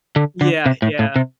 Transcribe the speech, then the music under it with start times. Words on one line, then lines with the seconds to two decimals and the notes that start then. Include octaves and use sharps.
Yeah, yeah.
0.16 D3
0.41 D3
0.66 C3
0.82 A2
0.99 A2
1.16 C3